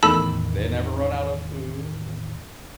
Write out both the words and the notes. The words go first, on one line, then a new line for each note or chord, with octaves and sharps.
they never run out of food and
E2 A2 D#3 A4 A5 B5 E6